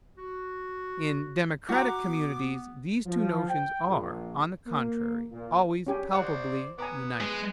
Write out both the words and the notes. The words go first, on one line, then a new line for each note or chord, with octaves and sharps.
In democratic communities these two notions are, on the contrary, always palpably united.
F#4
F#4 A#5 D6
B3
F3
G5
A#1
A#3
A#2
C#4 G4 G#5
C5 D5 F#5
B3 G#5 A#5 D6
G#3